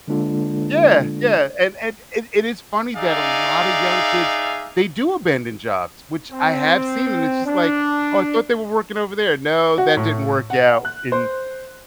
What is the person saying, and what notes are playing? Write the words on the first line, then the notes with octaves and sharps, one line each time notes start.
Yeah. Yeah, and and it it is funny that a lotta young kids, they do abandon jobs, which I have seen, and it's just like, "Oh, I thought they were working over there." No, that didn't work out, and
D3 G#3 A#3 D4 F4 A4
D#4 G#4 D5 E5 F5
C4
D4
F#4
A2
F#5
F#6
C5